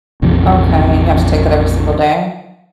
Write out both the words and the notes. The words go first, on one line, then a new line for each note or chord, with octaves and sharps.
Okay, and you have to take that every single day?
A#1 F2 C3 E3